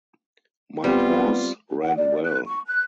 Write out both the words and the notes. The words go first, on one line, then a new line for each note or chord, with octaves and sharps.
My horse ran well.
G3 B3 C4 F4 G4
F#5
D5
F#6
C#6
F#6